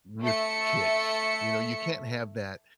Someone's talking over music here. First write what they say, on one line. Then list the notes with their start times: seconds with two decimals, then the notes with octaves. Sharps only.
with kids, you know? You can't have that
0.21 A3 A4 E5 C#7